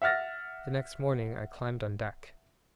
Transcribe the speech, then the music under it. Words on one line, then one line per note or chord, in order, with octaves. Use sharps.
The next morning I climbed on deck.
E5 F#5 F6 A6 A#6